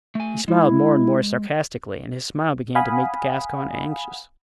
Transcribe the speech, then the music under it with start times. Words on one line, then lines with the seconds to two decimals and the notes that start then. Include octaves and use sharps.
He smiled more and more sarcastically and his smile began to make the Gascon anxious.
0.15 A3 G#5
0.48 G#3 E4
2.75 F5 F#5 G#5 B5 D#6